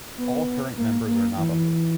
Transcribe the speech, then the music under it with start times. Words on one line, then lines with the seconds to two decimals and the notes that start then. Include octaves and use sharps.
All current members are Navajo.
0.18 B3
0.77 A#3
1.07 A#3
1.37 E3
1.51 E3